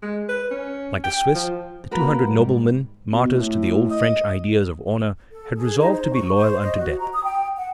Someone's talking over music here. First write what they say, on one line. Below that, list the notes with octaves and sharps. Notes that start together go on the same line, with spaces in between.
Like the Swiss, the two hundred noblemen, martyrs to the old French ideas of honor, had resolved to be loyal unto death.
G#3
B4
C#4
G5
F3
A#3 F#4 A#4 B4
G#2 G3
B2
A2
D#5
A4
G#4
D#4
C5
C#6
C5
D#5
F#4
A#5
D#6
G5
F#5